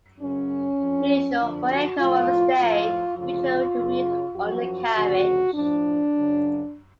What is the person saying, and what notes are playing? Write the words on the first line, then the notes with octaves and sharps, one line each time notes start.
Unusual for aircraft of its day, it featured a wheeled undercarriage.
F#2 C#3 F#3 C#4
F2 F3
F2 D3 F3 D4
F#4
A2 F3 F4
A2 F3 F4
D2 C#3 F3 F4
F#2 C#3 F#3
F#2 F3 F#4
D2 C#3 F3 F#4
A2 F3 D4
F#2 C#3 F#3